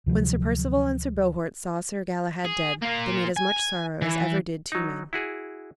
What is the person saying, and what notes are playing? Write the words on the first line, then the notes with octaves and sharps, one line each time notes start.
When Sir Perceval and Sir Bohort saw Sir Galahad dead they made as much sorrow as ever did two men.
D2 C3 F3 F#3
G#4
A#3 F4
G#5
E3
F#3 D#4
E4 F#4 G#4